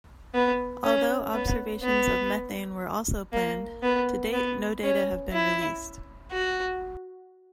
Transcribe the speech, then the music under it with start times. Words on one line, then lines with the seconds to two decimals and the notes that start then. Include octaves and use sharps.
Although observations of methane were also planned, to date no data have been released.
0.34 B3
0.84 C#4
1.34 B3
1.83 B3
3.33 A#3
3.83 B3
4.33 B3
4.83 C#4
5.33 E4
6.32 F#4